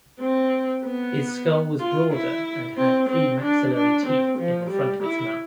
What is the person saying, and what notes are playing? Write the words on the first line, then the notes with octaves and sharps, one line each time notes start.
Its skull was broader and had premaxillary teeth in the front of its mouth.
C4
B3
F4
E4
C4
C4
D4
D4
C4
F3
G3
E4